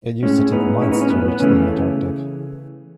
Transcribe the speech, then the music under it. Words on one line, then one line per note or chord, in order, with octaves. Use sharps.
It used to take months to reach the Antarctic.
A2 G#3 C#4
B3 D#4
C#4 E4
B3 D#4
C#4
B3
B3
C#3 E3 A3 C#4